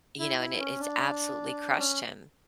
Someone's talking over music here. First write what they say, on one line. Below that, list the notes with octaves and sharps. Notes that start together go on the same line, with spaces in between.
You know, and it it's absolutely crushed him
E4
E4
C#4
D4
C#4